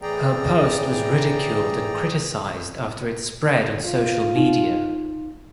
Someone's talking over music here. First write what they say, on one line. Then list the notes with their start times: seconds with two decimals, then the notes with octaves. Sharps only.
Her post was ridiculed and criticized after it spread on social media.
0.02 A2 E3 G#4 D5 G5 A#5
3.85 F4
4.36 D#4